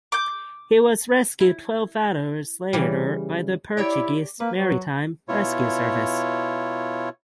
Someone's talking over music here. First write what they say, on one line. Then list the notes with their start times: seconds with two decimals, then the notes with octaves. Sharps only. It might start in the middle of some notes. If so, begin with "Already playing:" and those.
He was rescued twelve hours later by the Portuguese Maritime Rescue Service.
0.12 D6 G6
1.40 E4
2.73 C#3 E3 G3
3.77 E4 G4 C#5 D5
4.40 A#3 B4
4.55 F#3
5.29 B2 E4 F4 C#5